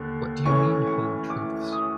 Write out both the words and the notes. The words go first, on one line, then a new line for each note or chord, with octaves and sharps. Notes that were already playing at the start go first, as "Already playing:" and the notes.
What do you mean, 'home truths'?
Already playing: D#2 D3
A2 E3 A3 C#4 C#6
C#6
D6
D#6